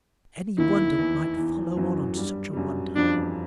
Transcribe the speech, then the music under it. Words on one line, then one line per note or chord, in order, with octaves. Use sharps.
Any wonder might follow on such a wonder.
D#2 D#3 E4
E2 E3
E2 E3
F#2 F#3
G2 G3
G3
F#2 F#3
F2 F3 D4
E2 E3